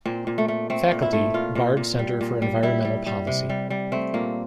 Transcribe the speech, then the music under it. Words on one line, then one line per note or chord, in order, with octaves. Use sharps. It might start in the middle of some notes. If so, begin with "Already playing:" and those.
Faculty, Bard Center for Environmental Policy.
A#2 C4
A#2
A3
A3
A3 C4
A#2
E4
A3
A#2 F4
A#2
A#2
G3
A#2
G3
G3 E4
G3
G3
C3
G3
G3
A3 C4
A#2 A#3